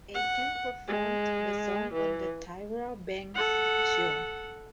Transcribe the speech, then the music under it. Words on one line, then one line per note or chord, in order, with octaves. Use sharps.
Aiken performed the song on "The Tyra Banks Show".
F#5
G#3
E3
A4 F#5